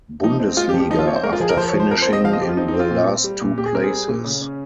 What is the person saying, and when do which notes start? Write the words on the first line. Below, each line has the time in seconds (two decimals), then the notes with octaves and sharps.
Bundesliga after finishing in the last two places.
0.23 F3 D#4
0.40 C4
0.57 G#3 F4
0.69 G4
0.74 F3
0.79 G4
0.91 F3 D#4
0.99 F4
1.07 C4 C#5
1.16 C5
1.23 G#3 A#4
1.33 F4
1.40 F3 G#4
1.49 A#4
1.57 F3 C5
1.68 C#5
1.74 F3
1.80 C5
1.91 C4 A#4
2.02 C5
2.07 C4
2.13 D#5
2.24 F3 F5
2.33 D#5
2.41 F3 G4
2.49 F4
2.57 C4 D#4
2.68 D#4
2.74 C4
2.80 F4
2.91 A#2
3.08 C4
3.24 G3
3.41 A#2
3.58 A#2 G4
3.66 G#4
3.75 C4 A#4
3.84 G#4
3.91 G3
4.09 A#2
4.25 C#3
4.42 C#4